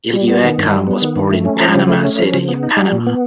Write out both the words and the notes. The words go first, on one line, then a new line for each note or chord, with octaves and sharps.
Illueca was born in Panama City, Panama.
G3
B3
D#3
G2
G3
B3
D#3
G2
A3
C#4
F3
C#3
A3
C#4
F3
C#3
B3
D#4
G3
A#2
B3